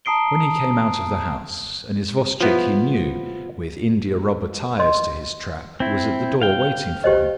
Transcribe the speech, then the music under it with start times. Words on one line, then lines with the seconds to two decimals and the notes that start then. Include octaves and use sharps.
When he came out of the house, an isvostchik he knew, with india-rubber tires to his trap, was at the door waiting for him.
0.05 A5 A#5 D#6 C7 D7 G7
2.41 F3 B3 E4
4.79 D#5 C6
5.80 C4 E4
6.42 F5 G5
7.04 G4 C5 D#5